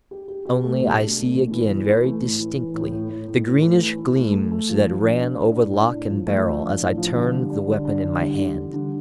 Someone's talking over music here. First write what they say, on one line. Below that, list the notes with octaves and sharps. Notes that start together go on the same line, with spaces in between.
Only I see again very distinctly the greenish gleams that ran over lock and barrel as I turned the weapon in my hand.
G4
G4
G4
A3
B2
D4
A3
B2
E3
E3
E3
A3
A2
E3
E3
A2
A2
A2
A2
A2
A3
E3
E3
A3
A3
A3
F3
F3
D4
D4
D4
A2
D4
A2
F3
A3
F3
D4
A2
F3
D3
G3
D4
D3
D4
D3
G3
D3
G3
D3